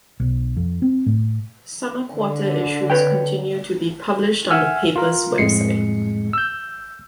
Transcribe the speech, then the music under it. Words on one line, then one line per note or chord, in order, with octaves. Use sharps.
Summer Quarter issues continue to be published on the paper's website.
B1
F2
C4
A2
D3
B4 C#5 G5
E5 F#5 G#5 E6 F6
F4 A#4
F2 A2 G#3 C7 C#7
E6 G6